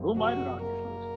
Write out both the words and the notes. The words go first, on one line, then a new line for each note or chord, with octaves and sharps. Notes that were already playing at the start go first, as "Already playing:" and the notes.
who am I to knock your choice?
Already playing: F#1 F3
C3 F#4
F#1
A#3 A#4
A#3